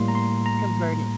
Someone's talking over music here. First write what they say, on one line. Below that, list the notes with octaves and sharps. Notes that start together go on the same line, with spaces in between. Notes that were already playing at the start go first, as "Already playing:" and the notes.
convert it?
Already playing: A2 G3 A#3 C6
A#5
C6
A#5